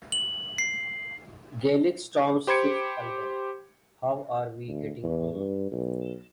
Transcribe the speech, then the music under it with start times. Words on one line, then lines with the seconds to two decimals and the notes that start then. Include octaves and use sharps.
Gaelic Storm's fifth album, How Are We Getting Home?
0.12 F#7
0.58 C7
2.47 G4 C5 B5 G#6 C#7 D7
4.68 D2
5.03 E2
5.35 G2
5.72 B1